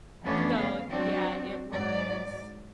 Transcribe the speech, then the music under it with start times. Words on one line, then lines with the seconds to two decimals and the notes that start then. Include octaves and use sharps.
so, yeah, it was,
0.23 F2 E3 A3 B3 C#4 D4
0.56 C#3 F5
0.89 F#3 C4 D4 F#4
1.71 G#2 F#3 D5